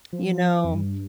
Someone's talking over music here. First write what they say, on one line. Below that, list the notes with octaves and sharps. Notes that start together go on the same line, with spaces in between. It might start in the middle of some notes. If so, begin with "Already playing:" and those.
You know,
F3
F2
G2